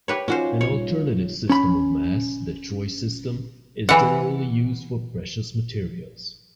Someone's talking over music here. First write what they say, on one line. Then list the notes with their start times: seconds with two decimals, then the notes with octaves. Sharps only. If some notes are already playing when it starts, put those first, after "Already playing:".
An alternative system of mass, the troy system, is generally used for precious materials.
0.08 G4 B4 C#5
0.28 C#4 D#4 F4 F#4 C5 C#5
0.61 C#5
0.72 G3
1.50 C#4 B5
3.89 E3 F#5